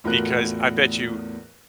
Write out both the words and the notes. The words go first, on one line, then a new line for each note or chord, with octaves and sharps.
Because, I bet you,
E2 A2 F4 F#4 A#4 F#6